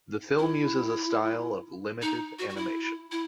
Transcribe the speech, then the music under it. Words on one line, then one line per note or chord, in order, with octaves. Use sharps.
The film uses a style of limited animation.
E4
D#4
F#4
F#4
E4
E4